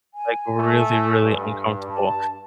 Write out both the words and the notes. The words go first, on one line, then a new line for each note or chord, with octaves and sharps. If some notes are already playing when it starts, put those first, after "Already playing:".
like, really, really uncomfortable,
G#5
A3
G2
A5